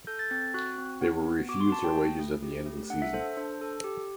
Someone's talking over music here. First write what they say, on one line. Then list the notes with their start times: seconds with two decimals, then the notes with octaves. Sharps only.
They were refused their wages at the end of the season.
0.07 A4 G6
0.19 A6
0.31 C4 A6
0.54 F#4 F#6
0.78 C4
1.01 B3
1.25 B3
1.49 F#4 D6
1.61 C6
1.72 F#4 A5
1.84 G5
1.95 A3
2.19 A3
2.43 G4
2.66 A3
2.90 D4 F#5
3.02 E5
3.13 A4 C5
3.37 D4 C5
3.61 A4
3.84 G4